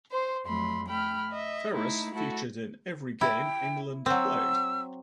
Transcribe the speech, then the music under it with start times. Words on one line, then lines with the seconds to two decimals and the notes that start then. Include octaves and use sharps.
Ferres featured in every game England played.
0.11 C5 C6
0.46 F2 F#3 A3 B5 C6
0.86 A3 G5 B5 F6
1.30 D#5 E5
1.73 A3 D#4 E4
2.12 A3 E4 F#4 A4
3.21 E4 G5
4.06 F#3 C4 E6